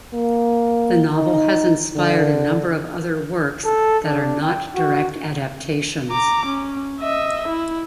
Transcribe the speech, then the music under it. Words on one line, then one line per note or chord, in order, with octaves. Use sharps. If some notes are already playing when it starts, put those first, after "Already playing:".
The novel has inspired a number of other works that are not direct adaptations.
A#3
D#4
D3
A4
D4
G5
F#4
A#5 D6
C#4
D#5 E5
E4